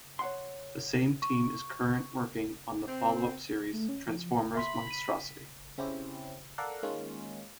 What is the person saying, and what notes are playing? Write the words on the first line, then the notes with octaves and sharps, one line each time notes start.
The same team is current working on the follow-up series, "Transformers: Monstrosity".
C#5 F#5 C6
C#6
C4
A3
C#4
F3
E5 B5 C6 B6
B6 D#7
C#3 C4 C#4 E4 G4
A4 A#4 D5 F5 F#5
D#3 G#3 A#3 C#4 F4